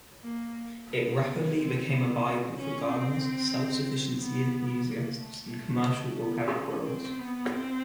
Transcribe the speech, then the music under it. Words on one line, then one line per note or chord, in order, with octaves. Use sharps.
It rapidly became a bible for gardeners, self-sufficiency enthusiasts and commercial organic growers.
A#3
B3
C4
B3
C4
C#4
C4
B3
A#3
A3
A3
A3
B3
C#4
C4
B3
C4